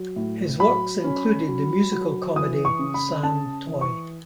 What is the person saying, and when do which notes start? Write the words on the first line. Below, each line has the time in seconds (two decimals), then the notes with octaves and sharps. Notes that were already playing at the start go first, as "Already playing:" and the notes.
His works included the musical comedy San Toy.
Already playing: F#3
0.16 A2
0.60 F#3 B5
1.04 C#4
1.48 F#3
1.92 F#3
2.36 E3 D#6
2.65 C#6
2.79 C#3
2.94 B5
3.23 C#3 A5
3.67 E3
3.81 C#6